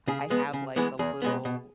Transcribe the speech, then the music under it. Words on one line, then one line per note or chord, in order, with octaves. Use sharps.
I have, like, the little,
C#3 G#4
G#3 B3
C#3
E3 G#3 B3
E2 G#4
B2 G#3 B3
B2